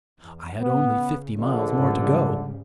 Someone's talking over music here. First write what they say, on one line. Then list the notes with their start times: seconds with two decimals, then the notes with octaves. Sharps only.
I had only fifty miles more to go.
0.21 E2
0.60 A2 B3
0.94 C#3
1.39 A#1 D3
1.77 G#2 C#3 G3